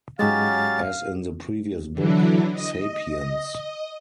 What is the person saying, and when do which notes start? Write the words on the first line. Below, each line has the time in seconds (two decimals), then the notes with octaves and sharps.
As in the previous book, “Sapiens.
0.19 G#2 F#3 G#3 C#4 G4 F5 A6
1.93 D3 E3 F#3 D4 E4
2.53 D#5